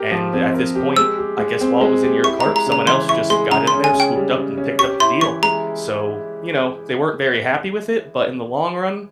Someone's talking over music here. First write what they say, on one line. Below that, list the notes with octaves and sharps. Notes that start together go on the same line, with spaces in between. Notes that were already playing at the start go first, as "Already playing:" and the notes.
and at this point, I guess, while it was in your cart, someone else just got in there, swooped up, and picked up the deal." So, you know, they weren't very happy with it, but in the long run,
Already playing: G4 A#4
F3
C4
A#4
G4
G#3 E6
G4
G#3
C4
G#3
G4
E4 C#6
A#5
G#3
A#5
C#3
A#5
E3 C6
E4 C#6
G#3 C6
C#3 A#5
C6
C#4
G#5
C#3
G5
G3
C#3
C#4
G4 C#6
E4 C6
E3 C#6
G#3 A#5